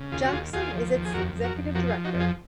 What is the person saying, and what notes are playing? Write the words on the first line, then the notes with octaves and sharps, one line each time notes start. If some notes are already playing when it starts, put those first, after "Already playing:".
Jackson is its executive director.
Already playing: C#3
D#2 F4 G#4
F#4
D#2 F4 G#4
D#2 F4 G#4
F3
D#2
G#4
F2 F#4 A#4
F2
F#4 A#4
F2
F3 F#4 A#4
F4 G#4
F3
D#4 F#4
F2
F4 G#4